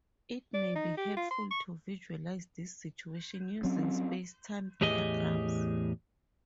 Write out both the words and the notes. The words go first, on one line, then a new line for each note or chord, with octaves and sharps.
It may be helpful to visualize this situation using spacetime diagrams.
D5
D#4
G4
F4
C6
C#6
F#3 C4 C#4
E2 A2 G4 G#4 D#5